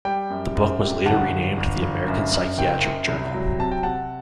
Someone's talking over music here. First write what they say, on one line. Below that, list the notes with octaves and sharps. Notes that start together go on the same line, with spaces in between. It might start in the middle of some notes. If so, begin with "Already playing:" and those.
The book was later renamed the American Psychiatric Journal.
G3 G5
F#2
F#2
G3
G1 F#5 A5
G1
G1
G1
F#2
F#2
F#1 G5
F#2
C2
F#3
C3 A5
G5
C3 F#5 A5